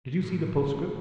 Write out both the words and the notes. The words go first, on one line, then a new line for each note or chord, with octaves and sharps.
"Did you see the postscript?"
A2